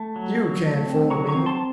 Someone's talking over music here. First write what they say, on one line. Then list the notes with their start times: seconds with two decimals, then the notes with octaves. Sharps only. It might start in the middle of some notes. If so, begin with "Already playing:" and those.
You can't fool me!
Already playing: A3 A5
0.16 F#3
0.39 F#3
0.63 A3
0.86 C4
1.10 F#3 A#5 C#6
1.28 A#5 C#6
1.34 C4
1.46 A5 C6